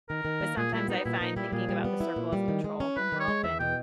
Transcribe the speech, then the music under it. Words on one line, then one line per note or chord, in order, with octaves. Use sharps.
but sometimes I find thinking about the circle of control can help, and
D#3 A#4
D#3
A#3
A#2 G#4
G3 E4
B3 D#4
A#2 E4
A#2 D#4
G3 E4
A#2 G#4
G3
B3
E4
A#2
G3
D#3
G#3
C#4
E4 B4
D#3
C#5
G#3
E2 E5
B2 G5